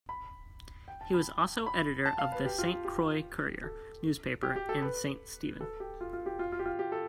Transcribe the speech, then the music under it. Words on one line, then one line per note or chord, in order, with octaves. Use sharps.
He was also editor of the "Saint Croix Courier" newspaper in Saint Stephen.
B5
G5
A5
B5
B5
A5
F5
B4
G4
F4
G4
A4
G4
G4
A4
B4
A4
G4
F4
F4
G4
F4
F4
G4
F4
G4
A4